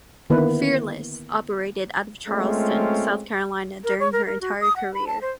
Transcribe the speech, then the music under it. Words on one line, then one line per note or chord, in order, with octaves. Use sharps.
"Fearless" operated out of Charleston, South Carolina during her entire career.
D3 D#3 A#3 B3 E4 B4
G#3 A3 C4 C#4 F4
A#4
C#5
A#4
A#4
F#4
D#6
F#5
B5
A5
C5